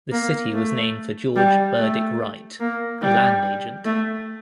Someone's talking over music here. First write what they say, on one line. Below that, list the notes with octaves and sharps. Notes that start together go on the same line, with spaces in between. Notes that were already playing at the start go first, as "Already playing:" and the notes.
The city was named for George Burdick Wright, a land agent.
A#3
A3
G3
A3
A#3
G3
A3